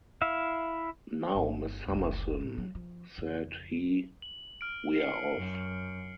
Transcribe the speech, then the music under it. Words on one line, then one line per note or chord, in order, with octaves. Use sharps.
"Now, Miss Summerson," said he, "we are off!"
E4 E5 F5
G1
F1 C2
A1
F#3
F3
F2 C#3
F#7
F6 D7
C7 C#7
F#2